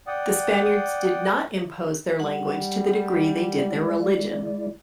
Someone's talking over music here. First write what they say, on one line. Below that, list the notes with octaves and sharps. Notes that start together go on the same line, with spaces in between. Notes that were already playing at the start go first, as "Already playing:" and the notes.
The Spaniards did not impose their language to the degree they did their religion.
D5 F#5 G5 D#6
G3 F#5
G#3 E4 D5